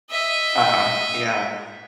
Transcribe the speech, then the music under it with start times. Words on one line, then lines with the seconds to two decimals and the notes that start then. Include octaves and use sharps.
Uh-huh, yeah.
0.11 D#5 E5